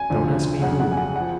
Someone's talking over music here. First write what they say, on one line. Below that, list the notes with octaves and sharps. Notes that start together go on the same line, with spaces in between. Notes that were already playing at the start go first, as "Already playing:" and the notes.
Don't ask me who.
Already playing: G#5
D2 D3 F3
F2 C#3 F#3 F#5
F#5
G#5
F#5
F3 F#5